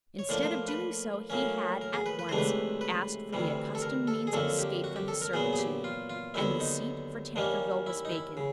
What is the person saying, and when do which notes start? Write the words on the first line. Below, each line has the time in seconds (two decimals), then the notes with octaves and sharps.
Instead of doing so he had at once asked for the accustomed means of escape from his servitude, and the seat for Tankerville was vacant.
0.19 C#5
0.29 A2 F3 A#3 D4 D5
0.43 C5
0.68 B4
1.30 A2 F#3 A#3 C#4
1.81 A#4
1.93 G#4
2.06 B4
2.19 B4
2.29 C#2 C3 E3 A3 D4 C5
2.38 B4
2.81 B4
3.33 D2 C3 E3 G3
3.75 A4
3.82 A#4
4.07 A4
4.27 G#4
4.33 F2 D3 F#3 A#3 A4
4.59 G4
4.84 F#4
4.96 G4
5.08 A4
5.22 A#4
5.33 A#2 F#3 B3 G#4
5.53 G#4
5.59 G4
5.84 F4
6.10 F4
6.34 D#2 D3 F#3 B3 E4
6.60 D#4
7.36 D#2 D#3 G3 A#3 C#4 D4
7.86 E4
8.05 D#4
8.12 E4
8.37 C#3